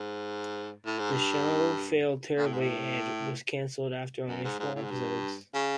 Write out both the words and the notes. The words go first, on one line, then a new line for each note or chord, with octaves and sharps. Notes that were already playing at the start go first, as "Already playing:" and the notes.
The show failed terribly and was cancelled after only four episodes.
Already playing: G#2
A2
G#2
G2
A#2
A2
G#2
A2
F#2
G#2
G#2
A2
G#2
G2
C#3